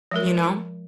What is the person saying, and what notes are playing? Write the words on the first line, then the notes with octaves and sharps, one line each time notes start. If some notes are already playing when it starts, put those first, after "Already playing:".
you know?
F3 G#3 A#4